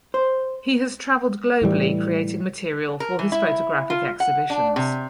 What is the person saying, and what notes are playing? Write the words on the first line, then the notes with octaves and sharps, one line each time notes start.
He has traveled globally creating material for his photographic exhibitions.
C5
A2 E3 G3
A#4
E3
E4
F4
F#5
D4
C3